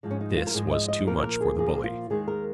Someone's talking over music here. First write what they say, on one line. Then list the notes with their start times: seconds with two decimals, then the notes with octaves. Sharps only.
This was too much for the bully.
0.03 G#2 F3 G#3
0.11 C#4
0.21 D#4
0.37 F4
0.47 A#4
0.54 G#2 F3 G#3 G#4
0.71 D#5
0.88 D#5
1.07 A#2 F3 A#3 A#4
1.18 C#5
1.23 A#4
1.41 G#4
1.58 A#2 F3 A#3 G#4
1.74 G#4
1.84 F4
2.10 D#2 D#3 G#3 G#4
2.28 A#4